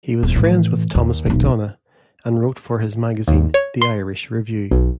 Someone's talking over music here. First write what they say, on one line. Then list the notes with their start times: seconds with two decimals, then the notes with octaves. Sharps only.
He was friends with Thomas MacDonagh, and wrote for his magazine "The Irish Review".
0.23 D#1 E2
0.36 A2 E3
0.95 D#2
1.26 E1 B1
3.28 D#2
3.54 C#5
3.82 C6
4.71 B1